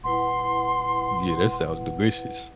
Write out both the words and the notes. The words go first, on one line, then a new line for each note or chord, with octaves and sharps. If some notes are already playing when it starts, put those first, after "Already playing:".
Yeah, that sounds delicious
D#1 E4 B4 F#5 C6